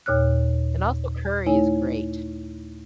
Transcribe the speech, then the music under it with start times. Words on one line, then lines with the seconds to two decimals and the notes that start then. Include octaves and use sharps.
and also, curry is great.
0.06 D#2 A#2 C#5 F6 F#6
1.46 A3 D#4 E4 C#5 G#5